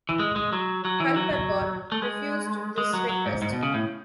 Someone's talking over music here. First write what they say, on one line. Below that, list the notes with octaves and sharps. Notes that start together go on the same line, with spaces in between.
Culpepper refused this request.
E3
G#3
G#3
F#3
F#3
E3
F#3
F#3
A3
G#3
G#3
F#3
F#3
G#2
G#2
B2
C#3
A2